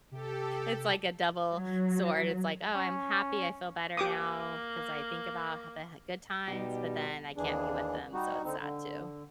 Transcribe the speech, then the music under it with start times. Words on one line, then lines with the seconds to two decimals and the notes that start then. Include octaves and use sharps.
it's like a double sword. It's like, oh, I'm happy, I feel better now, 'cause I think about how the ha good times, but then I can't be with them, so it's sad too.
0.11 C3 G4 A4
1.53 F#3
2.74 C#4
3.97 A#3 G4 D6 D#6
6.48 B2 G3 D#4 G4
7.37 D#2 E3 D4 G#4
8.13 G3 D#4 F#4
8.44 D3 C4 D#4
8.60 D3